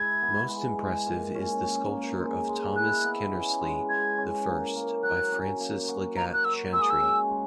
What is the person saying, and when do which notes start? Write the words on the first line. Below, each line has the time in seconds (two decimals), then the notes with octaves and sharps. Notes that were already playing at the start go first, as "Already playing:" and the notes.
Most impressive is the sculpture of Thomas Kinnersley I, by Francis Leggatt Chantrey.
Already playing: G#3 E4 G#6
0.22 B3
0.49 G#3
0.78 G#3
1.06 A#2
1.35 C#4
1.63 C#4
1.91 A#3
2.20 G#3
2.48 G#3
2.76 E4 F#6
3.04 B3
3.33 C#4
3.61 G#3
3.89 G#3 G#6
4.18 C#4
4.47 A#3
4.75 A#3
5.02 F#3 F#6
5.32 C#4
5.59 A#3
5.88 F#4
6.16 A#3 A#5
6.33 F#6
6.45 F#4 E6
6.72 G#3 E6
6.82 D#6
6.90 E6
7.01 C#4
7.30 G#3